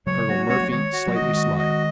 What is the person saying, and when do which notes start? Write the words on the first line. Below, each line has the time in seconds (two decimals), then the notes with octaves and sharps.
Colonel Murphy slightly smiled.
0.07 C#3 F#3 C#5
0.28 F#3 A#3 F#4
0.49 G#3 C#4 C#5
0.60 F#3 A#3
0.71 D#3 G#3 C#5
0.93 F#4
1.07 F#3 A#3
1.15 D#5
1.22 D#3 G#3
1.36 F#4
1.58 D#5